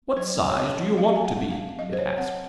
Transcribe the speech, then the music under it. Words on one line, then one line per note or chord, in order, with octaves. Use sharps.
'What size do you want to be?' it asked.
F#3 C5
C#5
C4 D#5
F#3 F5
G#5
F#5
C4
F5
F#3 D#5
C5
C#5
C4 F#5